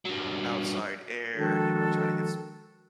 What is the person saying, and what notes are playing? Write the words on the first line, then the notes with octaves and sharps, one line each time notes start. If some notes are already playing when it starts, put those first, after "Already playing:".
outside air, you know, trying to get some
G2 F#3
D#3 F3 G#3 D4 F#4 A4